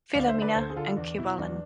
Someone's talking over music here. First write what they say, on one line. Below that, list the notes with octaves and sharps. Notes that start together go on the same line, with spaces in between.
Filomena, and Kiwalan.
D2 D5 F5
C5 E5
D3
B4 D5
D2 A4 C5
G#4
D3 F4 A4
E2 D4
B2 E4
E2 D4